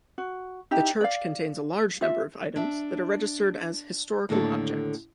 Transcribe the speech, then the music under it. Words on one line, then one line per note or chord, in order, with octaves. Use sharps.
The church contains a large number of items that are registered as historical objects.
F#4
D#4 E4 G4
D5 F5
F4 E5
D4 E5
D#2 A2 D3 A4 C#5